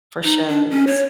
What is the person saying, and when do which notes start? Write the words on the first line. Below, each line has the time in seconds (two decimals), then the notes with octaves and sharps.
for shows.
0.24 D#4
0.48 D4
0.70 C#4
0.87 C#5